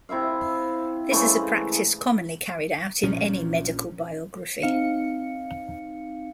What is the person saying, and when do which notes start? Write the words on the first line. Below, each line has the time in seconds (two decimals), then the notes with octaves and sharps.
This is a practice commonly carried out in any medical biography.
0.09 C3 E4 E5 F5
1.11 C#3 E3 G#3 A3
3.03 A#1 A#2 F3 C#4
4.62 C4 D#4 F5 C#7